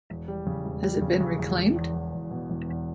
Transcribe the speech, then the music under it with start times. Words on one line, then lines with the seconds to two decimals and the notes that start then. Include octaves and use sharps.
Has it been reclaimed?
0.10 E1
0.28 G3
0.46 C#3
0.65 E1
0.83 G3
1.01 C#3
1.20 C#3
1.38 E1
1.58 E1
1.76 E2
1.94 E2
2.13 E1
2.31 B2
2.50 E1
2.68 E2